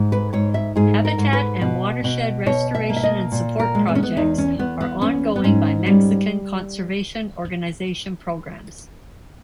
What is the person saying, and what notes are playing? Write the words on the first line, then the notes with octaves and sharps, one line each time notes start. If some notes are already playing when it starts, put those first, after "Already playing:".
Habitat and watershed restoration and support projects are ongoing by Mexican conservation organization programs.
Already playing: G#2
B4
G#2 C#5
E5
G#2 G#4
A#4
G#2
B4
B2
B2
B2 C#5
E5
A#3
E5
D#5
A#2
A#4
G#3
B3
C#4
B3
E2 D#4
C#4
E2 B3
B3
B3 C#4
B3
G#2 C#4
G3 C#4